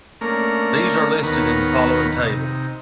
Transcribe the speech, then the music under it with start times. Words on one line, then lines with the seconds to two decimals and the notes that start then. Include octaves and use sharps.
These are listed in the following table.
0.21 A3 A#3 C#4 D4 A#4
1.23 D#2 D#3 B3 A#4 B4 C#5
2.18 C3 D#4